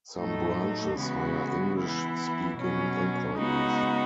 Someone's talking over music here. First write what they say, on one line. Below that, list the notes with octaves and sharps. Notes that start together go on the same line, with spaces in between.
Some branches hire English-speaking employees.
A2 F#3 A3 D#4
C#3 E3 G#3 B3 F#4
E3 B3 E4
B2 F#3 C#4
C#3 G#3 B3 D#4 F#4